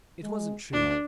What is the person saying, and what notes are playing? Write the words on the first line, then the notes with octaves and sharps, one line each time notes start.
It wasn't true.
G#3
D2 D4